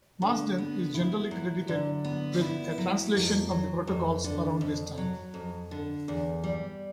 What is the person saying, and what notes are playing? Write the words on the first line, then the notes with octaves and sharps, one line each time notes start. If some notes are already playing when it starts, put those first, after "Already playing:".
Marsden is generally credited with a translation of the "Protocols" around this time.
D3
B3
E4
F#3
D3
B3
E4
F#3
F2
F#3
F2
D3
F2
F#3
F2
D3
E2
G3